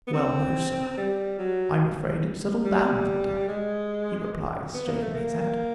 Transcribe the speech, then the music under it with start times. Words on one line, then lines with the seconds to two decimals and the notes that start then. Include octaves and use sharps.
"Well, no, sir; I'm afraid it's settled down for the day," he replies, shaking his head.
0.07 B3
0.13 C4
0.97 G3
1.39 F#3
2.65 G3
3.48 G#3
4.74 B3
4.87 A#3
5.02 A3
5.14 A#3